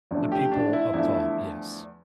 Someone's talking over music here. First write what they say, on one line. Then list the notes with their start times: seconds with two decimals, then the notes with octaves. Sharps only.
The people up top, yes.
0.11 E2 D3 F3 A3
0.32 G4
0.51 D4
0.73 E4
0.93 E2 D3 F3 A3 E4
1.14 E4